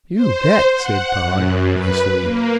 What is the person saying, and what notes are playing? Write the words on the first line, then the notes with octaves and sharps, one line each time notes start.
"You bet," said Pod, icily.
C5
F#5
F#2
B4
A#3